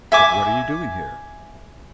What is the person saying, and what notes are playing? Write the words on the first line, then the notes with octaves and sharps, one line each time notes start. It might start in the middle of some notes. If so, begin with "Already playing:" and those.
"But what are you doing here?"
E5 G#5 D6